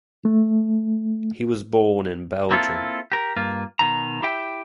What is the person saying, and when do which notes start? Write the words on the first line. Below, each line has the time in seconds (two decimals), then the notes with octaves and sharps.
He was born in Belgium.
0.25 A3
2.51 A#3 C4 E4 F4 A4
3.12 G4 A#4
3.36 G2 A#3 F4
3.79 B2 D#3 A#5
4.22 E4 G4 E5 G5